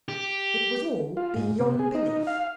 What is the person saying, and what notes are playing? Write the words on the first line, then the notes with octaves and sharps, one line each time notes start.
It was all beyond belief!
G4
F4
G#2
C3
G#4
D#4
F5